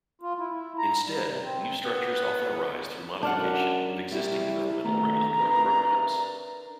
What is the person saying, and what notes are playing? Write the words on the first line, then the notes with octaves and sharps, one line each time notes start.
Instead, new structures often arise through modification of existing developmental regulatory programs.
F4
E4
E4
A#5
G3
C3
C4
B3
F#2 D4 F5 F#5
G3 E4 G4
D#2 A3 B3 A#5
D4 A#4 B4